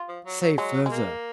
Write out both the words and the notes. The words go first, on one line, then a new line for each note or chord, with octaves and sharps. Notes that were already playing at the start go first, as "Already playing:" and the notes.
Say further.
Already playing: F4
F3
F#3
F#3
F#3 G#3
G#3
A#3